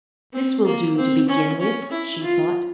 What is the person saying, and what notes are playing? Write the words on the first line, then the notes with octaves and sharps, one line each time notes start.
"This will do to begin with," she thought.
C4
A#3
C4
C#4
C#4
E4
F4